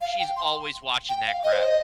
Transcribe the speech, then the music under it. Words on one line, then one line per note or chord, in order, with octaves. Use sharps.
she's always watching that crap.
F5
G5
C6
G5
F5
D#5
C5
D#5